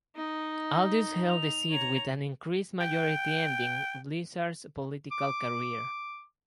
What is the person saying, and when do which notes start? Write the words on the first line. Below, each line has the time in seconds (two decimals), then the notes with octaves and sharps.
Aldous held the seat with an increased majority ending Blizzard's political career.
0.15 D#4
1.29 F7
1.69 C#5 A#5
2.81 G5
5.12 D6